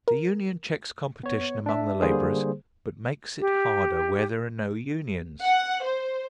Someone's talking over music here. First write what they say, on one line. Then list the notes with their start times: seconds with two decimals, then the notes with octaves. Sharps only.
The union cheeks competition among the labourers, but makes it harder where there are no unions.
0.08 A#4
1.23 B3 C#5
1.66 D4 E5
2.02 D3 G3 A#3 G#4 C5
3.40 G4
5.42 F#5
5.83 C5